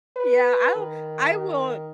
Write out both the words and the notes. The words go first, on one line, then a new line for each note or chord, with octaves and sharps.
Yeah, I will I will
B4
D#3